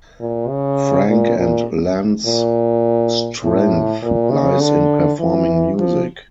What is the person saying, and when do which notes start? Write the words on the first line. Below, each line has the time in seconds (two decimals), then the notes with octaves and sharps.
Frank and Len's strength lies in performing music.
0.20 A#2
0.49 C#3
1.09 A#2
1.38 A#2
2.26 A#2
3.43 A2
4.02 A#2
4.32 C#3
4.60 D3
5.19 E3
5.78 F3